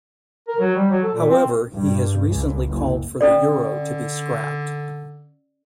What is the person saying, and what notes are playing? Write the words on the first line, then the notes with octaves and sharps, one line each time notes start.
However, he has recently called for the euro to be scrapped.
A#4
F#3
G3
F#3
A4
A#2
C4
G2
C#2
F#1
D3 C#4 A4 D5